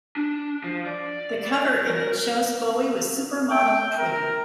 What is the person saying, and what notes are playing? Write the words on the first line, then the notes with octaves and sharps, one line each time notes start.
The cover image shows Bowie with supermodel Twiggy.
D4
F3
D5
A#4
G5
A#4